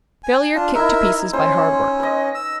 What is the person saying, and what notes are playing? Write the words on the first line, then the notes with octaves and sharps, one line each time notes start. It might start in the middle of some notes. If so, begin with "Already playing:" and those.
Failure kicked to pieces by hard work.
G#5
D4 F4
D#4 E4 A#4 E5
C#4 C5 C6
B4 D#5
E6